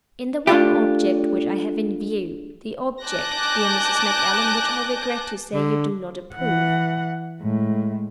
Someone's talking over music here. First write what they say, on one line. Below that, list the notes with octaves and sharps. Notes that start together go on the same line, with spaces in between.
"In the one object which I have in view--the object, dear Mrs. Macallan, which I regret to say you do not approve."
A3 D4 F4 G4
G#5 A5 D6 F#6 G6 A#6
D3
E3 F#5
A2 G#3